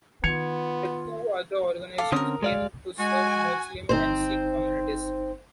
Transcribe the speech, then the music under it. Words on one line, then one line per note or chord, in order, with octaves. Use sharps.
The two other organisations claimed to serve Muslim and Sikh communities.
D#3 B3 F4 G#6 C#7 F7
A4 F5 D6
D3 C4 C#4 A#4 D#6
G#3 D5 F5
G#3 F#4 G#5
G1 C4 D#4 C5